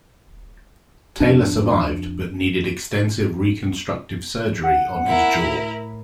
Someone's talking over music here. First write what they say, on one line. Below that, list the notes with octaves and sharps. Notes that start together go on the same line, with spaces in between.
Taylor survived, but needed extensive reconstructive surgery on his jaw.
F2 D4
F#5
E4 A#4
A2